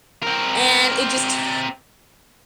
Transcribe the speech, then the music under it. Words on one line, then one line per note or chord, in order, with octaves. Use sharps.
and it just turned
C4 A#4